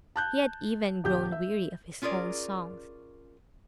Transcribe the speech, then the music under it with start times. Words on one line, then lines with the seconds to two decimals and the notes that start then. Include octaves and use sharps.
He had even grown weary of his own songs.
0.16 A5 F#6 G6
1.04 D#1 G4 G6
1.32 E5
2.02 C#4 F4 G#4 A#4 D5